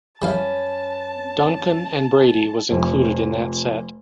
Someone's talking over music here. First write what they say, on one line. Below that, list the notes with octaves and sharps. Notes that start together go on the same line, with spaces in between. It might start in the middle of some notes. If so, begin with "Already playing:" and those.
"Duncan and Brady" was included in that set.
F#2 G3 C#4 E4 B4 F5 A5
F1 F2